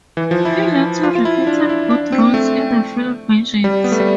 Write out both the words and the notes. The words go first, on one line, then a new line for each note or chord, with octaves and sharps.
He later repeated both roles in the film versions.
E3
F3
E4
F4
F4
E4
D4
E4
D4
C4
A3
G3
B3
A3
G3